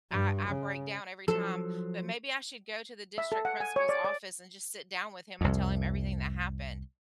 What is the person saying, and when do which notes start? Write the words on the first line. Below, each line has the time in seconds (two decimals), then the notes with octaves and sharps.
I I break down every time. But maybe I should go to the district principal's office and just sit down with him and tell him everything that happened.
0.10 G2
0.48 C#3
1.28 F3 F#3 A4 C5
3.18 E5
3.32 A4
3.45 F#5
3.60 G#5
3.76 C#5
3.89 D5
4.05 D5
5.41 C2 F2